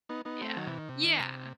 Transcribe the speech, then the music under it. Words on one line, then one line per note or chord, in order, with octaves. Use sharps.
Yeah, yeah.
B3 D#4
B3 D#4
A3 C4
D#3 F#3
C3 E3
D#3
C3
D#3
C3